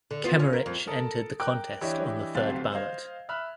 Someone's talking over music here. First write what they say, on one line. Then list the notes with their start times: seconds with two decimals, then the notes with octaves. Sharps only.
Kemmerich entered the contest on the third ballot.
0.11 D3
0.24 B3 F4
0.39 C#4
0.53 A#4
0.66 F2
0.87 A4 A#4 A5 D#6
1.40 A#4 G5 D6 F#6
1.81 E3 D4 E4 G4 C#5 D#5
2.35 D1 B1 C3 C4 F5 A6
2.73 C5 D#5 F5 G#6
3.29 E5 B5 F6 F#6